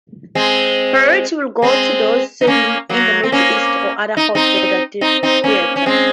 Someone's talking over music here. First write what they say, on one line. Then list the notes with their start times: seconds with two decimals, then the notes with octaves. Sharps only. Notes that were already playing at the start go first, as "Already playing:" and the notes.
Priority will go to those serving in the Middle East or other hot-weather theaters.
0.35 G#3 C4
1.62 G#3 C4
2.41 D#4
2.47 A#3 C#4
2.89 F#3 A#3
3.23 C4
3.32 A#3 C#4
4.17 D#4
4.35 C4 D#4
5.01 C4 D#4
5.23 C4 D#4
5.44 A#3 C#4
5.76 C#4
5.86 G#3 C4